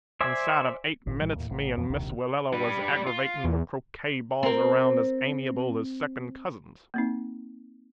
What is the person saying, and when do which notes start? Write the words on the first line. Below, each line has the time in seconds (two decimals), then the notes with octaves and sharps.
Inside of eight minutes me and Miss Willella was aggravating the croquet balls around as amiable as second cousins.
0.21 C5 D5 E5 G#5
1.07 G#1 A#2 C#3
1.21 A1 A2 E3 G3
1.36 D#2 A2
1.50 A1
1.77 F2 E3
1.90 D1 A#1 D#2 C3
2.53 G3 B4
3.07 F4
3.44 E2
4.43 C4 A#4
6.94 A#3 C4 D#4